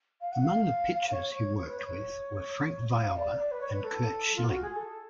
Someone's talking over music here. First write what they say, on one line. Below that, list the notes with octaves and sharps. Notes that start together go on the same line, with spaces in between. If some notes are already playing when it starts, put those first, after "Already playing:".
Among the pitchers he worked with were Frank Viola and Curt Schilling.
F5
F#5
F5
C#5
C#5
C#5
B4
C#5
F#5
F5
D5
D5
B4
C#5
B4
A4
F4
F#4
G#4
A4